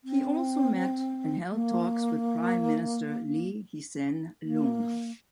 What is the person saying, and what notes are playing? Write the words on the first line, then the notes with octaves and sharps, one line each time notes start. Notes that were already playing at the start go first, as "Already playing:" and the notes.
He also met and held talks with Prime Minister Lee Hsien Loong.
C4
A#3
A#3